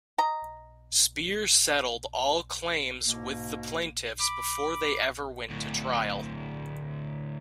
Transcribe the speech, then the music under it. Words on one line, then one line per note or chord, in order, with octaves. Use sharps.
Speer settled all claims with the Plaintiffs before they ever went to trial.
D#5 A#5
G#2 B2 A#3
B5 D6
D2 A2